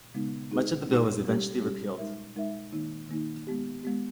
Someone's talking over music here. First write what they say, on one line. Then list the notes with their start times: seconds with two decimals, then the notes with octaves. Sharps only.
Much of the bill eventually was repealed.
0.14 C#3 G#3 B3 D#4
0.51 G#3 D#4 G#4
0.88 G#3 D#4 G#4
1.25 G3 C#4 G4
1.61 G3 C#4 G4
1.98 G#3 D#4 A#4 E5
2.36 G#3 D#4 A#4 E5
2.72 D#3 A#3 D#4
3.09 D#3 A#3 D#4
3.47 G#3 B3 G4
3.83 G#3 B3 G4